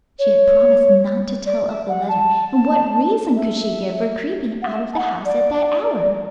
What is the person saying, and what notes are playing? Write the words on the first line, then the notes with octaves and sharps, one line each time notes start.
She had promised not to tell of the letter, and what reason could she give for creeping out of the house at that hour?
C#5
D5
E5
F#5
A5
E5
F#5
E5
A5
F#5
D5